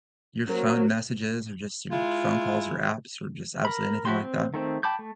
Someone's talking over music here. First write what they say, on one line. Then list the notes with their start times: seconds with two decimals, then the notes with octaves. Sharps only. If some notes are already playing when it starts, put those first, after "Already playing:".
your phone messages or just your phone calls, or apps, or just absolutely anything like that?
0.48 F#3 A#3 C#4 A#4 C5
1.91 G#3 E4 F4
3.65 A#4 B5
4.05 F3 E4 F#4 G4 C6
4.21 C4
4.54 D#3 A3 C4
4.83 G5 A5 B5 D6 G6
4.99 A3